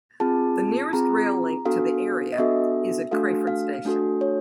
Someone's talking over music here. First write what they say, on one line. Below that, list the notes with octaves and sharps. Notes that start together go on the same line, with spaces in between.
The nearest rail link to the area is at Crayford station.
C4 F4 G#4 A5
C4 F4 G#4 A#5
B3 D4 F#4 A4 F5
D#5
B3 D4 F#4 A4 E5
A3 D4 F#4 A4 F5
F5
A3 D4 F#4 A4
C#5